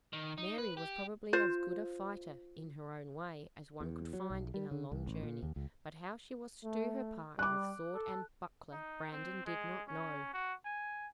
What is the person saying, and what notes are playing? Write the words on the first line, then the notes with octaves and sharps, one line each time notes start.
Mary was probably as good a fighter, in her own way, as one could find in a long journey, but how she was to do her part with sword and buckler Brandon did not know.
D#3
D#4
B4
G4
F4 C5
E2
F#3
B1
G3
D3
C2
A1
A#2
D#2
C#2
A3
G3 D6 F#6
A4
D#4
C4
G#3
C#4
F#4
G#5